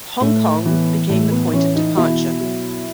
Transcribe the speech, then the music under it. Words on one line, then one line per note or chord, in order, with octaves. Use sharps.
Hong Kong became the point of departure.
A2 A3
E3 B3
A2 A3
B3
E3 C#4
D#4
B2 E4
F#3